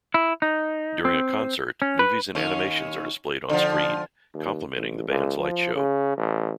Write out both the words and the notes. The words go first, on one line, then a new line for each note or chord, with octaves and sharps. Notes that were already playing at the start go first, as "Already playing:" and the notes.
During a concert, movies and animations are displayed on-screen, complementing the band's light show.
E4
D#4
C4
C#4
B4
D#2 C#4
D3 F3
D#2
A1
C#2
F3
C#3
A1